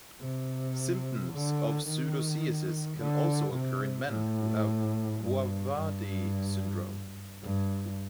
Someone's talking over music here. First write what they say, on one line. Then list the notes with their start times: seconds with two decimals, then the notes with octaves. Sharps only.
Symptoms of pseudocyesis can also occur in men who have couvade syndrome.
0.21 C3
1.32 D3
1.88 D#3
2.98 D3
3.54 C3
4.09 A2
5.21 G2
5.76 G2
7.42 G2